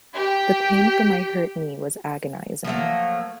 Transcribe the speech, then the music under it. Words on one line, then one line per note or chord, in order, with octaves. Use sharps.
The pain from my hurt knee was agonizing.
G4 G5
F3 F#3 A3 A#3